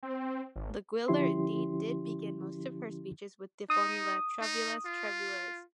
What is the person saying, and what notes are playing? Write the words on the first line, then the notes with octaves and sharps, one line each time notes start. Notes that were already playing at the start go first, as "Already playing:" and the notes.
Laguiller indeed did begin most of her speeches with the formula, "Travailleuses, travailleurs!".
C4
G#1
D3 F3 C#4 E4 G4 C6
D#4 D#6
D#4
F4